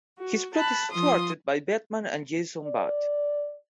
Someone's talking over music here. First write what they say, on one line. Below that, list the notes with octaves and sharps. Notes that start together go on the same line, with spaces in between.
His plot is thwarted by Batman and Jason Bard.
F#4
A5 B5 F#6
F3 F4 C6 D#6
D5